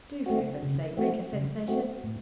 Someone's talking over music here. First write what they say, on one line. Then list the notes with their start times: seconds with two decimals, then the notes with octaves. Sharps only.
Do for Heaven's sake make a sensation.
0.26 A3 C4 F#4
0.63 C#3
0.97 A3 C4 F#4
1.33 C#3
1.68 A3 C4 F#4
2.04 A2